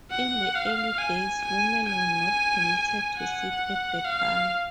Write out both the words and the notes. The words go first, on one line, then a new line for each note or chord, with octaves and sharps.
In the early days women were not permitted to sit at the bar.
F#5
F5
G#5
G#5
G#5
F#5
F5